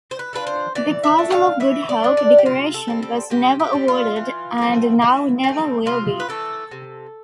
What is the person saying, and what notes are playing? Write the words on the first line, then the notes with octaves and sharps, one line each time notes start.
The Castle of Good Hope Decoration was never awarded and now never will be.
C5
B4
A3 D4 F4 B4
C5
E3 D5
E5
A3 D4
F5
E3 E5
D5
A3 D4
D5
G4
C3 F4
A4
G3 C4
A4
C3 G4
G4
G3 C4
F4
E3
A3 C4
E3
A3 C4
C3 F4
B4
E3 A3 A4
C3